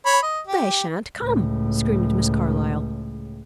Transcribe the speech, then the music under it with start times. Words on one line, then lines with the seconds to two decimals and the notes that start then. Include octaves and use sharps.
"They shan't come!" screamed Miss Carlyle.
0.06 C#5 B5
0.22 D#5
0.47 G4
1.20 C#2 A2